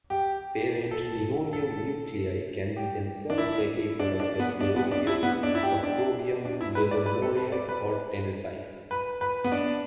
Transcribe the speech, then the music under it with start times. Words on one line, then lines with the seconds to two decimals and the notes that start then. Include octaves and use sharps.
Parent nihonium nuclei can be themselves decay products of flerovium, moscovium, livermorium, or tennessine.
0.10 G4
0.91 A4
1.53 A4
2.76 G4
3.30 D4
3.38 E4
4.00 D4
4.20 D4
4.40 B3
4.61 D4
4.76 B3
4.92 D4
5.07 E4
5.23 B3
5.43 D4
5.55 E4
5.63 G4
5.83 D4
6.45 D4
6.61 E4
6.75 B4
6.91 D5
7.06 B4
7.22 A4
7.37 B4
7.52 D5
7.69 B4
8.91 B4
9.21 B4
9.44 B3
9.52 D4